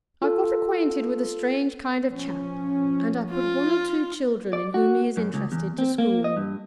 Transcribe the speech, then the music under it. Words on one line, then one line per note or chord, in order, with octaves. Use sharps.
'I've got acquainted with a strange kind of chap, and I put one or two children in whom he is interested to school.
F4 A4
F3 C#4
F4
D5
F#4
F#2
C#2
E2
C4
A#3
D#5
G2